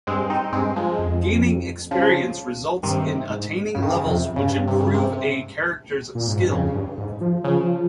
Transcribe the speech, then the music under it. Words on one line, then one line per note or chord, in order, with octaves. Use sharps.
Gaining experience results in attaining levels which improve a character's skill.
G2 G#3 C4
C4 D#4
G2 G#3 C4
F3 G#3
F2
C#3 F3
G2 C3 D#3
G#2
G2 C#3
D#3
C#3
F2 C3
G2 C#3
C3
C#3
C3
A#2
G#2
G2
F2 C#3
G2
G#2
F3
C#3 F3